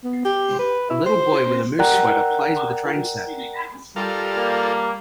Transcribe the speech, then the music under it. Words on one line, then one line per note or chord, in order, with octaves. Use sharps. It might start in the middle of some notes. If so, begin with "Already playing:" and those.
A little boy with a moose sweater plays with a train set.
B3
G4
B4
E4
C5
A#4 D5 F#5 G5 A#5 F#6
G3 F4 A4 A#4
A#3